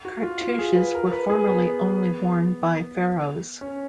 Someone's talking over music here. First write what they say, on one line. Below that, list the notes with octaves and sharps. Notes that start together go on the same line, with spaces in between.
Cartouches were formerly only worn by Pharaohs.
F#4
F4
F4
G#4
B4
A#4
B4
G#4
B3
C#4